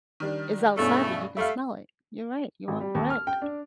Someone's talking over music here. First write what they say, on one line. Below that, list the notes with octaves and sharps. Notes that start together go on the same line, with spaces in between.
It's outside, but you can smell it. You're right. You are correct.
D#3 G3 D4
E2 G2 B2 A3 C#4
G3 A3 E5 F5
G#1
G3
D#2
F6
G5
D4